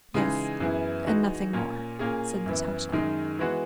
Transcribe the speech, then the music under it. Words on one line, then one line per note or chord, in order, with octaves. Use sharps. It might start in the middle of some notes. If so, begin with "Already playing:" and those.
"Yes, and nothing more," said Natasha.
C#3 E3 G#3 D#4
F#2 E3 B3 E4 G#4
E3 G#3 D#4 F#4
A#2 A#3 C#4
A#2 A#3 C#4 G#4
F#2 E3 B3
F#2 D#3 G#3 D#4
E3 G#3 B3 F#4